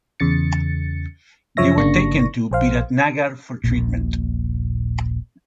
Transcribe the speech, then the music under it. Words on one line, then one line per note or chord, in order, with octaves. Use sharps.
They were taken to Biratnagar for treatment.
E2 C#3 A6 C#7
F#2 C#3 F3 C#5 E5 A#6
G1 C#3 A#3 D4 C#6 A#6
A#1 C5 F5
D#1 A#1 A#2